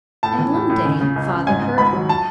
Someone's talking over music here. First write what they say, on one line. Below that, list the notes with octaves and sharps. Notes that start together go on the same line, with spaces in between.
And one day father heard her.
A2 A5
E3
A2
A2
C#3
C#3
C#2
C#2
G#2 G#5
G#2
G#2 B5
F#3
A5